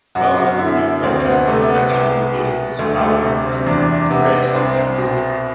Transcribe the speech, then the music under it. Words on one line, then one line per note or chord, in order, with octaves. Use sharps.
Bowman's new project was eventually revealed as Fallon and the Grace Dynasty.
F#2 F#4
F#4
D3 E4
D2 C4
B3
C3 A3
B3
C2
B2
D2 A3
A3
C3
C4
E2 D4
C3 B3
D4
C2 C4
B2